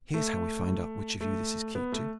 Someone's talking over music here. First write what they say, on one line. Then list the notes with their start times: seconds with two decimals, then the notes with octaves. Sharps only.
"Here's how we find out which of you this is keyed to."
0.14 A3
1.21 A3
1.75 B3
1.92 A3